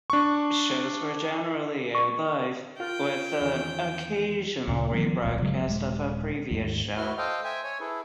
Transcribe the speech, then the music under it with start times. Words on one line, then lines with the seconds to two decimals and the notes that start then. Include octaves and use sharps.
Shows were generally aired live, with an occasional rebroadcast of a previous show.
0.10 D4 C#6
1.95 C#6
2.80 F4 A#4 G5
3.40 E2 D#3 G#5
4.68 D2 A#2 C#3
4.94 D#3 F3 G3 B3
5.22 D1 B1 A#2
5.41 G1 C#3 F#3 G#3
5.66 D#1 G#3
6.51 D#2 G#2 D#3
6.97 E4 F#4 B4 F6
7.18 A4 C5 D#5 F5 G5
7.44 C5 E5 G5 G#5
7.64 C#5 G#5
7.80 E4 G#4 A4 B4